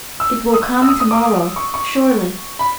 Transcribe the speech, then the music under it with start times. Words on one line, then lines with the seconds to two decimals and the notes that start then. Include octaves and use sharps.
"It will come to-morrow, surely."
0.20 E6
0.54 D#6
0.82 E6
0.89 D#6
1.00 D#6
1.11 D6
1.56 C#6
1.74 C#6
2.59 B5